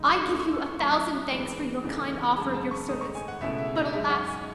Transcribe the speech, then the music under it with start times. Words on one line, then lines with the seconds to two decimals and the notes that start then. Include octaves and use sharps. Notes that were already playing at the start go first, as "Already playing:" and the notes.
I give you a thousand thanks for your kind offer of your service; but, alas!
Already playing: F#2 C#3 G#3 D#4
0.21 C#6
0.27 D#2 D#3 A3 C#4 E4 D#6
0.40 C#6
0.53 E6
0.66 C#6
0.79 A2 F#3 C#4 E4 C#6
1.31 G#2 E3 B3
1.84 E2 C#3 E3 A3 D#4
2.36 F#2 C#3 G#3 A5
2.54 A5
2.71 C#6
2.88 G#2 D#3 A3 D#4 D#6
3.01 C#6
3.15 G#5
3.28 F#5
3.41 C#2 B2 A3 C#4 E4 E5
3.58 E5
3.76 D#5
3.93 F#2 C#3 G#3 D#4 E5
4.10 F#5
4.28 G#5